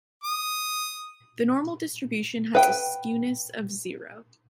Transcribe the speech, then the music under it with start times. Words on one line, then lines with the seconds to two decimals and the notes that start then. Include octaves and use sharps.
The normal distribution has a skewness of zero.
0.24 D#6
2.55 B4 F#5 G5